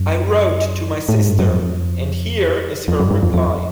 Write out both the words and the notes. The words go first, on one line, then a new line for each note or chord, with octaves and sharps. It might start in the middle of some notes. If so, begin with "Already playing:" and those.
I wrote to my sister, and here is her reply.
Already playing: F#2
A2
G#2
G2
F#2
F2
F2
F#2
G2
F2
F2